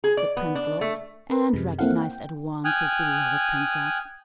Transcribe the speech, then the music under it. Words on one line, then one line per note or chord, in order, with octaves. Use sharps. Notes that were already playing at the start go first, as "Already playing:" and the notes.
The prince looked, and recognised at once his beloved princess.
G#4
D5
B3
D4
A3
C4 A#4 B4
F#2 C3 G#3
A#3 C4 E4 A4 F5 F#5
G5
G5 G#5 D#6 F6 F#6